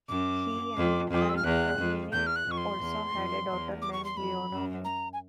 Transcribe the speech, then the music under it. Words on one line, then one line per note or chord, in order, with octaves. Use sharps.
He and Alcmene also had a daughter named Laonome.
F#2 D6
F2
F2 D6
D#6
E6
F6
E2 F#6
F2
E2 G6
F6
F#6
F2 C#6
C6
E2
F2
E2
D6
C#6
C6
F2 B5
F#2
A#5
G#5